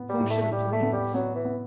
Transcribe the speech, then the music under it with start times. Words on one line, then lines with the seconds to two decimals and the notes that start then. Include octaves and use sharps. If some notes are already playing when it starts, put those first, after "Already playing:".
Whom should it please?
Already playing: A2 B3
0.09 G3
0.20 A2
0.30 A3
0.41 A3
0.51 A2 G3
0.72 A3
0.82 B3
0.93 G3
1.14 F#3 B3
1.35 E3
1.45 B3